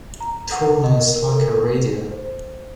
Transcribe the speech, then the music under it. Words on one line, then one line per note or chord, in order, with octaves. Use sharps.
Turn on Slacker radio.
A#5
F#5
D#5
A#4
A#4
A4
A#4
A4
C5